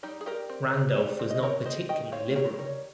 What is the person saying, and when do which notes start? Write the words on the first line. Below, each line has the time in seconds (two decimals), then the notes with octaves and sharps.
Randolph was not particularly liberal.
0.03 G3 D#4 G4
0.21 G#4
0.26 G3 G4 A#4
0.50 C4
0.73 C4
0.96 G3
1.19 C4
1.30 D#5
1.43 C4 A#4 C#5
1.66 C4 C5 D#5
1.89 D#3 D#5 G5
2.12 C4 C#5 F5
2.35 D#3 A#4 C#5
2.59 G3 A#4 C#5